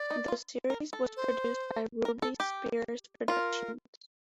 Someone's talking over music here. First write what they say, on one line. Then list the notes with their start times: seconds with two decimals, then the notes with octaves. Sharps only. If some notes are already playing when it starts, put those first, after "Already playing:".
The series was produced by Ruby-Spears Productions.
Already playing: D5
0.10 D#4
0.28 F4
0.70 A#4
0.93 A4
1.17 C5
2.05 A#4
2.22 A4
2.40 G4
3.28 F4 A#4